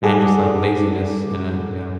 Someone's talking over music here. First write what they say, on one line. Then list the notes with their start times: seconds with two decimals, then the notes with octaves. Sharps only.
and just like laziness in it, yeah.
0.03 G3 G#4 A4 F#5 D6